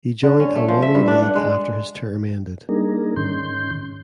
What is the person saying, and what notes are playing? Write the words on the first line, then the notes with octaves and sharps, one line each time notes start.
He joined Awami League after his term ended.
D3
C#4
A3
F3
E5
G2
D4
F#5
G#3
G3 A#3 D4 D#4 G#4 A#4
G#2 D#3 C#4 C6 G6